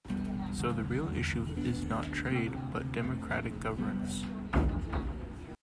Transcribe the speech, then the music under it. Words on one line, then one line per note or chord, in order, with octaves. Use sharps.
So the real issue is not 'trade' but democratic governance.
E1 G3 B3
E1
D3
D3
E2
E1
D2 B3 D4
D2
D2
C3 A3 C4
D2
C3
F2 A3 C4
F2
F1
F1 G3 B3
F1